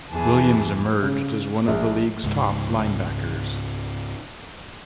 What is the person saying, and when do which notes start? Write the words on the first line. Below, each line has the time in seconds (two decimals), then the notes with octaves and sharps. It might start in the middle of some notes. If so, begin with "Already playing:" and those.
Williams emerged as one of the league's top linebackers.
0.11 E2 E3 G#4 A5
1.02 C#3
1.68 A#1
2.24 C#2 G#2